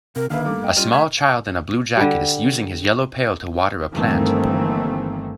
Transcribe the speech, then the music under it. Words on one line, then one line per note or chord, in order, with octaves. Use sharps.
A small child in a blue jacket is using his yellow pale to water a plant.
C3 A#4
D3 D#3 A#3 D#4 B4 E5 F5
G2 A3 D6
D#5 G5
G3 F4 F6 D#7
A3 G#6 B6
D3 G3
G1 D#3 E3 A3 A#3 C4